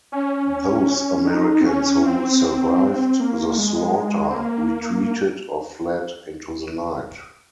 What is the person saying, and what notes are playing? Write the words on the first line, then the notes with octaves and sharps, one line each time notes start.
Those Americans who survived the slaughter retreated or fled into the night.
C#4
D#4
C4
C#4
C4
A#3
G#3
C4
A#3